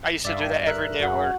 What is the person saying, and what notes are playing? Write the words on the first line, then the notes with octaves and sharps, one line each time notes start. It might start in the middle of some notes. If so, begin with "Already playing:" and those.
I used to do that every day at work.
G2 D5 E5 F5
A#4 E5 F#6
F#2 F#4